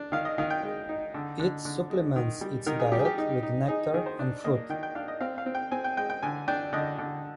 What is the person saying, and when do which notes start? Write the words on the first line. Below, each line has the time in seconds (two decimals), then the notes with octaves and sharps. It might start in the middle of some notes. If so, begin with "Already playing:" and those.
It supplements its diet with nectar and fruit.
Already playing: D4
0.12 D#3 F5
0.25 D#5
0.38 D#3 F5
0.50 G5
0.63 G#3
0.89 D#4
1.14 D3
1.39 D3
1.65 D3
1.90 G#3
2.16 D#3
2.41 G3
2.66 D#3 A#4
2.80 G#4
2.92 G3 G4
2.99 G#4
3.05 G4
3.18 D#4
3.43 D#4
3.68 D#4 G#4
3.94 D#3 G#4
4.06 C5
4.19 D4
4.44 A#3 D#5
4.70 D#3 G5
4.83 G5
4.95 D4 F5
5.08 D#5
5.20 C4 F5
5.38 F5
5.46 C4
5.55 G5
5.71 C4 G#5
5.84 G5
5.97 G#3 G5
6.10 G5
6.23 D3 G#5
6.48 D4 G5
6.73 D3 D#5
6.98 D3